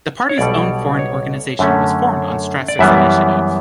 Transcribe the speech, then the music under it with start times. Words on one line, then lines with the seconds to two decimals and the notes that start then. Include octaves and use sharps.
The party's own foreign organization was formed on Strasser's initiative.
0.29 C#5
0.38 B1 B2 G3 D5
0.99 C#5
1.59 F#2 D3 A3 C#4
2.68 D5
2.79 F#2 E3 G3 B3 E5